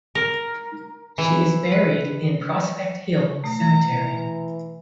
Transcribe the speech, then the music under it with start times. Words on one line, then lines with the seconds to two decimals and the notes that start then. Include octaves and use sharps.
She is buried in Prospect Hill Cemetery.
0.15 A#4
1.18 E3
1.72 B4
3.44 B2 A3 A#5
3.86 E3